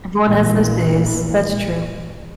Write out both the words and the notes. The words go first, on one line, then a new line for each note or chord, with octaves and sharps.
Everyone has those days. That's true.
A#1 A#2 E3 A#3